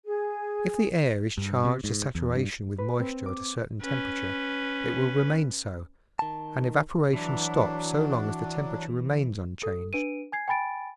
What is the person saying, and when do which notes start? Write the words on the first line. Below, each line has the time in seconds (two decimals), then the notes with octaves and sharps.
If the air is charged to saturation with moisture at a certain temperature, it will remain so, and evaporation stops so long as the temperature remains unchanged.
0.05 G#4
1.38 G2
1.65 C3
1.84 G#2
2.15 E2
2.35 G2
2.78 B4
3.00 C4
3.26 D6
3.82 C#4 B4
6.19 D#3 A5
7.13 E3 F#3 D4
9.63 A4
9.93 D4 B4 D7 D#7
10.32 G#5 G#6 C7
10.48 G5 G#5 B5 A6 D7